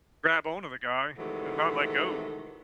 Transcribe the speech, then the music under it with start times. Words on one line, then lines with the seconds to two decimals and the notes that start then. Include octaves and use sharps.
grab on to the guy and not let go.
1.18 C3 D#3 E3 F#3 G#3 A3